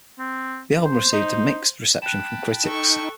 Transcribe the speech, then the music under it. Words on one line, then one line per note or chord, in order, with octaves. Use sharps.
The album received a mixed reception from critics.
C4
C5
D#4
G5 A5 B5 F#6 E7
D#4 A4 C#6